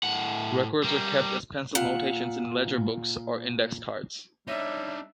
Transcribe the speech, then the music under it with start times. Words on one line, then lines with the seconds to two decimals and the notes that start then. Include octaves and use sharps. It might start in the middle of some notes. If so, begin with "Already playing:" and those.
Records were kept as pencil notations in ledger books or index cards.
0.03 A2 F#5
0.83 G3 A#4
1.75 A#2 F#5
4.48 G3 D4 D#4 C#5 E5